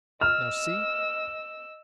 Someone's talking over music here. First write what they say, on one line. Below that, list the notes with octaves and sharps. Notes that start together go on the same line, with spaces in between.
Now see!
D#5 E6 F6